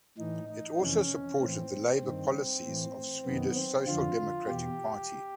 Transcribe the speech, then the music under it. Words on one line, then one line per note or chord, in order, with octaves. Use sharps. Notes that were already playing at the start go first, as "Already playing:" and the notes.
It also supported the labour policies of Swedish Social Democratic Party.
A2 E3 D#4
D#4
F2 C3 E3 C#4
A2 E3 C4
G2 D#3
A2 E3
F#2 D#3 B3
C4
F2 D3 F4
E2 B2 G4